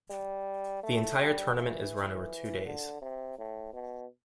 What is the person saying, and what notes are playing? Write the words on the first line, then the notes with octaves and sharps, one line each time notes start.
The entire tournament is run over two days.
G3
A3
G3
E3
D3
C3
A2
B2